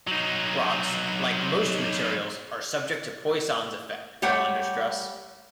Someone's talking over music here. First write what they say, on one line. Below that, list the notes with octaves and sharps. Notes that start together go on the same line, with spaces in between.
Rocks, like most materials, are subject to Poisson's effect while under stress.
F#3 D#4
G3 A3 G4 C#5 F#5